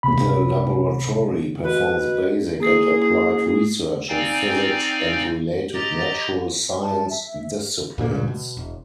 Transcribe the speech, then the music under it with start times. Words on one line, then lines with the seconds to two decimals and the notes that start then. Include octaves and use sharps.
The laboratory performs basic and applied research in physics and related natural science disciplines.
0.03 C#2 C3 B5
1.63 F#4 B4 D#5
2.60 A#3 E4 G#4
4.09 C4 D#4 D5 F5 G5 G#5
5.74 G4 D#5 A#5 A6
6.81 A5
7.09 E5
7.98 D#2 A#2 A3 A#3
8.11 G2 A#2
8.28 B2
8.57 E1